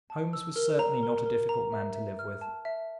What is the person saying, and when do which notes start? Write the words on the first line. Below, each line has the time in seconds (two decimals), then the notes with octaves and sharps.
Holmes was certainly not a difficult man to live with.
0.10 A5
0.33 E6
0.56 A#4
0.79 A#5
1.03 A#4
1.26 A#4
1.49 A#5
1.72 E5
1.96 E5
2.19 F6
2.41 A5
2.65 E5